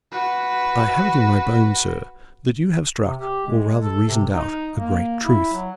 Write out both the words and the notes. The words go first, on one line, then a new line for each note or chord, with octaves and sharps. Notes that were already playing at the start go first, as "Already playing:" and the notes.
"I have it in my bones, sir, that you have struck--or rather reasoned out--a great truth."
F#4 B4
C3
G4
G#3
A4
C3
D#4
A#3
E4
F#3